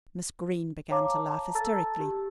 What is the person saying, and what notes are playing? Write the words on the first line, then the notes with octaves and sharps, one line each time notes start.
Miss Greene began to laugh hysterically.
C#5 F5 A5 A#5 D6
A5 A#5
A4 A5 A#5 E6 A6
G4